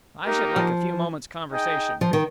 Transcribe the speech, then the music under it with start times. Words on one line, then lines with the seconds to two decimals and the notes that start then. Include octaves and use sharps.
"I should like a few moments' conversation."
0.25 A#3 D#4 G4 A#4
0.56 F3
1.50 D#4 G#4 D#5 G5
2.01 F3
2.13 D#3